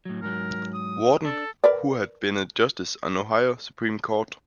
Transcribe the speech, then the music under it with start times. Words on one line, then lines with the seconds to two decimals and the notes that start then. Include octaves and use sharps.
Warden, who had been a justice on the Ohio Supreme Court.
0.05 A2 F#3
0.22 G#2 F#3 A#4
0.74 D#6
1.25 D4 A4
1.64 A#4 B4 D5